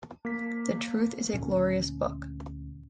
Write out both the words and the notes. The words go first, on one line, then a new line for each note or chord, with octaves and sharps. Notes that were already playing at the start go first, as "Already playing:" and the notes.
The truth is a glorious book.
A#3 B6
D2 A#2 D3 C#4